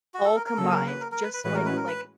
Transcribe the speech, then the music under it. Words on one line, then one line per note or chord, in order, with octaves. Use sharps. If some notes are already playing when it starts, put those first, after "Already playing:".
all combined, just so I can, like,
F#4
A4
A#4
A#4
C#3 F#3 A#3 A4
A#4
B4
A#4
A#4
B4
B4
A2 E3 G#3 C#4 F#4 B4
A#4
B4
A#4
B4